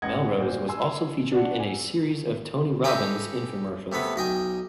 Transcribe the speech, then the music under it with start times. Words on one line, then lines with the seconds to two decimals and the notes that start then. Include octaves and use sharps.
Melrose was also featured in a series of Tony Robbins infomercials.
0.02 A1 G#2 D#5 F#5 G#6
0.38 A#2 F#4 C5
0.68 G#5 C6 E6
1.32 D4 F#4 F#5
1.60 G#5
2.84 G4 A4 B4 D#5 G5 G#5
3.92 C3 A3 B3 B4
4.16 B1 D#5 G5 G#5